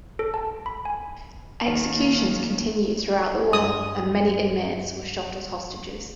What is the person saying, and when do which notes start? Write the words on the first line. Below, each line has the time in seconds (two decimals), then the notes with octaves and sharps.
Executions continued throughout the war, and many inmates were shot as hostages.
0.19 A4
0.34 A5
0.66 B5
0.85 G#5
1.64 D#2
3.53 G2 D#6